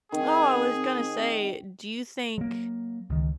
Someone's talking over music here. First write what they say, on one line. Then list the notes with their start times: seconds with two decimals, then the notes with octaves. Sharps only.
Oh, I was gonna say, do you think
0.12 D#3 C4 G#4
2.38 F#3 A#3
3.10 C#2 D#3